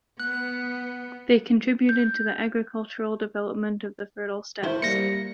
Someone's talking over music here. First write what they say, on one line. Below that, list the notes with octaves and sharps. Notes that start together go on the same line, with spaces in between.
They contributed to the agricultural development of the fertile steppes.
B3 F#6
G6
A2 E4 C5
G3 A#3 A#6 C#7